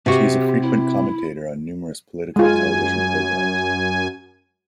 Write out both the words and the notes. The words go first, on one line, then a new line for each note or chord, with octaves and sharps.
She is a frequent commentator on numerous political television programs.
C3 F#4 G4
E4
F#2 G#3 F4 G#5